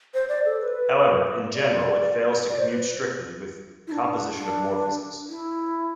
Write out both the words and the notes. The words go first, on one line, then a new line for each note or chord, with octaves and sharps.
However, in general it fails to commute strictly with composition of morphisms.
C5
D5
A4
B4
D5
D5
C5
B4
E4
D4
D4
E4